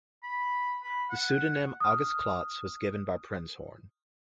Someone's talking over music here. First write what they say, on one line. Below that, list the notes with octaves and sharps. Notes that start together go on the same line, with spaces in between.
The pseudonym August Klotz was given by Prinzhorn.
B5
B5
F#5
D#6 F6